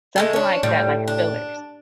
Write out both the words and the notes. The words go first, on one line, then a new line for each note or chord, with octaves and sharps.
something like that, like fillers.
G#3 A3 A4
C#4 D4
A2 G3
D4